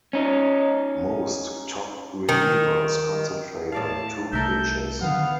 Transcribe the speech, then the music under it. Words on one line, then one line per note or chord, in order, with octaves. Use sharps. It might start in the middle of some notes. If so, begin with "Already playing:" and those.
Most top relievers concentrate on two pitches.
C#4 D#4
D#3
A2 D5 F5 A5
C2 A3 A4 A#4 E5 G6
D3 D#3 F#3 B3 F5